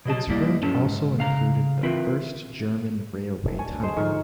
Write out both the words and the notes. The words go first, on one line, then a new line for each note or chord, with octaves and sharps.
Its route also included the first German railway tunnel.
B2 F#3 D#5 A5
G3 A#3 E4 D5 D#5
G2 F#3 C#4 A4 A5
G#2
C#3 F5 A#5
E3 C4 F4 A#4 B4 E5
F1 C3
D2 C#5 G#5 A5
G#3 C5
G#2 D3 F3 A#4 C#6